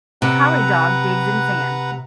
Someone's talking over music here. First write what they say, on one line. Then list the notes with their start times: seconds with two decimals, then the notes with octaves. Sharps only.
Collie dog digs in sand.
0.22 C3 B4 F#5 A#5